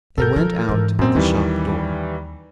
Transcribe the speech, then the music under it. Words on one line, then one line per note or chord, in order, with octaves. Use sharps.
They went out at the shop door.
G1 B2 A4 A#4 G6
F3
G#2 E3
F#2 A#2 C4
D#2 D#3 E3 G3